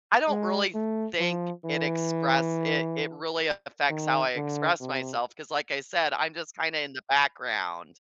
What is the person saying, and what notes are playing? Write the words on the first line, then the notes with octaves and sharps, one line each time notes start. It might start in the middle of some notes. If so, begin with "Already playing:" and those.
I don't really think it express it it really affects how I express myself, 'cause like I said, I'm just kinda in the background,
G#3
A3
F3
E3
D#3
D3
C3